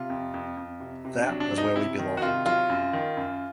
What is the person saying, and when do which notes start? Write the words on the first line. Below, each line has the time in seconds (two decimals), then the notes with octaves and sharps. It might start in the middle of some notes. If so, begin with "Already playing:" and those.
That was where we belonged.
Already playing: C3 F4
0.10 F2
0.34 F2
0.57 F2
0.80 C3
1.05 C3
1.23 D4
1.28 F#3
1.40 D4
1.51 F#3
1.58 D#4
1.75 C3 E4
1.99 D#3
2.17 F#4
2.22 C3 F4
2.46 F#3 F4
2.70 F#2
2.93 D#3
3.17 F#2